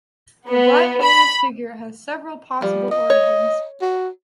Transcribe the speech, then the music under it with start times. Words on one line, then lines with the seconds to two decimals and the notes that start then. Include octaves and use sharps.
The Black Annis figure has several possible origins.
0.47 B3
1.01 B5
2.62 F3 G3
2.91 D#5
3.10 C#5
3.81 F#4